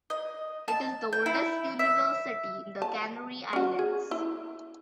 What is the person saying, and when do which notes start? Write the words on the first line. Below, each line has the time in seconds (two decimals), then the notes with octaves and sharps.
It is the oldest university in the Canary Islands.
0.10 D#5
0.68 A5
1.13 G5
1.26 E4
1.79 E5
2.82 A5
3.53 C#4 F#4
3.79 G#4
4.11 E4